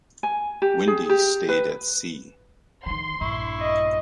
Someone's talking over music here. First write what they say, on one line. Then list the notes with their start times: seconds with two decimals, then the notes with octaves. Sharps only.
Wendy stayed at sea.
0.23 G#5
0.62 G4
0.87 G#4
1.09 G4
1.49 B4
2.86 D3 D#3 C6
3.21 A#1 G2 E4 C#6
3.60 D#5